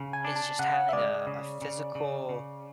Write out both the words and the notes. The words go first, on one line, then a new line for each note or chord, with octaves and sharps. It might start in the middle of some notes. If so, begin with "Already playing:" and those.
is just having a a physical
Already playing: C#3
G#5
D4
A5
C#3 F#5
E5
G#3 D5
C#3
C#3
C#3
C#3